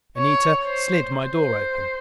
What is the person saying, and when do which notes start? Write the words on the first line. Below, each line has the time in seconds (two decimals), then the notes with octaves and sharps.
Anita slid my door open.
0.17 C#5
0.67 C5
1.16 C5